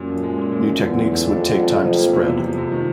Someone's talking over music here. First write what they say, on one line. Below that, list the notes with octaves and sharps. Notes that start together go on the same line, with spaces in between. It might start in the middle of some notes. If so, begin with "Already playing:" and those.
New techniques would take time to spread.
Already playing: F#2 A#2
F3
G#3
A#2
A#2
F3
E2 D3
F#3
A3
F2 D4
D3
F#3
F2 C3
F3
A#3
E2 C3
C3
F3
F2 C3
D#3